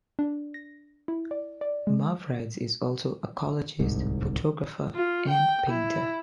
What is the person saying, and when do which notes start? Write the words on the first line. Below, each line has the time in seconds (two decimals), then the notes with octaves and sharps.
Mavrides is also a collagist, photographer and painter.
0.19 D4
0.54 A#6
1.08 E4
1.31 D5
1.61 D5
1.87 G#3
3.79 D1 C2 G#2
4.95 F4
5.29 G5
5.70 E4